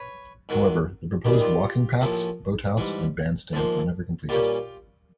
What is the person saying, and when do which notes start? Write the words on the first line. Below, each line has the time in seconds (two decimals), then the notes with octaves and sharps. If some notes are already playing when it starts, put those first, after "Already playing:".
However, the proposed walking paths, boat house, and bandstand were never completed.
Already playing: B4 C#5
0.49 G#2 D#3 F#3
1.25 D#2 D#3 G3 G4
1.33 G#4
1.41 F4 G4
2.01 A2 F3 A#3 C#4
2.77 G#2 E3 G3
3.53 G#2 F3 A#3
4.29 A#2 G3 A#3 C#4 F4 G4